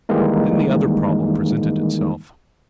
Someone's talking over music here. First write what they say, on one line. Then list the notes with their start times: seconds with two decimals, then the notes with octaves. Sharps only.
Then the other problem presented itself.
0.09 D#3 E3 G3 G#3 A#3 D#4